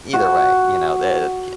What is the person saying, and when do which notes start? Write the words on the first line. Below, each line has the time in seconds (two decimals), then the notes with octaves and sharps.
Either way, you know, the c
0.13 F#4